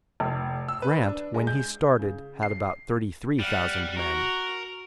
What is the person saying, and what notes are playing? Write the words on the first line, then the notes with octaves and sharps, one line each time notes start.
Grant, when he started, had about thirty-three thousand men.
F1
E6
B4
D4
G#3
G6
C#3
C7
G3 F5 F#5
F#4 A#4 F#5